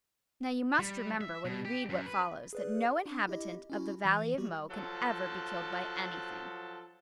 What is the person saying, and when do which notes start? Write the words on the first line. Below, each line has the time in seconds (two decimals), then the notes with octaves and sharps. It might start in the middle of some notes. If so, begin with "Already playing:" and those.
Now you must remember, when you read what follows, that no inhabitant of the Valley of Mo can ever be killed by anything.
0.80 G3
1.21 E5
1.45 B2
1.65 G4
1.90 F#2
2.06 B4
2.53 G#4 B4 D5
3.06 D4
3.27 E4 G4 D#5
3.70 C#4 E4 F#4
4.05 E3
4.38 G3 F#4 G4
4.71 F3 F#3 A4